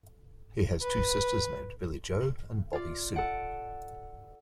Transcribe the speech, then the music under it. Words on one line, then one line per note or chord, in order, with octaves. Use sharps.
He has two sisters named Billie Joe and Bobby Sue.
B4
F4 D5
A4 F#5 D7